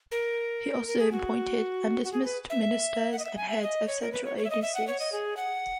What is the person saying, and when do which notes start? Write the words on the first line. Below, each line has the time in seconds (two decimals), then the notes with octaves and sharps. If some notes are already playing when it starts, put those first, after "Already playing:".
He also appointed and dismissed ministers and heads of central agencies.
0.11 A#4
0.88 A#4
0.99 G#4
1.12 F#4
2.04 F#4
2.13 G#4
2.24 B4
2.50 E5
3.12 F#5
3.19 D#5
3.25 E5
3.37 G#5
3.49 E5
3.62 D#5
3.87 C#5
4.02 A#4
4.13 B4
4.25 C#5
4.38 C#5
4.45 E5
4.50 D#5
4.62 E5
4.75 F#5
4.87 C#5
5.00 D#5
5.12 G#4
5.37 F#5